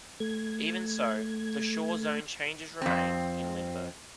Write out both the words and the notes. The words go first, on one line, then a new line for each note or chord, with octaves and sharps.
Even so, the shore zone changes remain in limbo.
A3 G#6
F2 C4